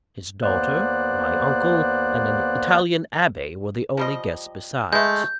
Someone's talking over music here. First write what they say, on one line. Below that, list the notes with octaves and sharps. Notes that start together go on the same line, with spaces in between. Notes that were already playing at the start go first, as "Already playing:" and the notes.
His daughter, my uncle, and an Italian Abbe were the only guests besides.
D#2 A#3 B3 C5 D5 F#6
F3 G3 D#5
G#3 A3 B3 G6